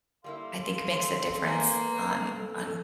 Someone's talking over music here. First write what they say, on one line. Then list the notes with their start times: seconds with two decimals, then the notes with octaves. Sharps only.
I think, makes a difference on on
0.24 G3 A#3 E4 A4 F5 C6
1.45 G#3 A#3 B4 G#5
2.22 A4